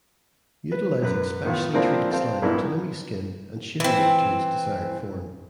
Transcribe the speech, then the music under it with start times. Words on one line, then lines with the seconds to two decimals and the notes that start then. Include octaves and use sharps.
Utilizing specially treated slime to mimic skin and shaping it to its desired form.
0.72 B4
1.02 F#2 B4
1.45 A2 D#3 B3 F4
1.73 F3 A#3 C4 D4 E4 A#4
2.11 C4 F5 A5
2.42 A#1 G#2 G3 B3 E4 A#4
3.80 E3 C4